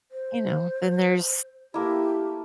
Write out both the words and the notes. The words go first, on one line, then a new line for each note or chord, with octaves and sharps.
you know, then there's
C5
A3 A#3 E4 G4